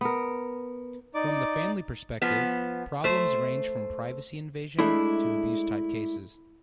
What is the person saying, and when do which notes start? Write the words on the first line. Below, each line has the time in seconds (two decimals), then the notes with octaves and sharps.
From the family perspective, problems range from privacy invasion to abuse type cases.
0.01 B3 A#4
1.15 D#4 D5 D6
2.22 F3 B3
3.04 A3 C5
4.79 G#3 A3 D4 E4